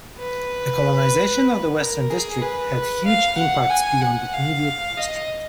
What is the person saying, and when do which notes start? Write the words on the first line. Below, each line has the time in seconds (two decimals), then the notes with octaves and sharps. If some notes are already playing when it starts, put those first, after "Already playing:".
The colonization of the Western District had huge impacts beyond the immediate district.
0.19 B4
1.78 A#4
2.10 G#4
2.42 B4
3.06 F5
3.37 F#5
3.69 G#5
4.01 F#5
4.33 F5
4.97 D#5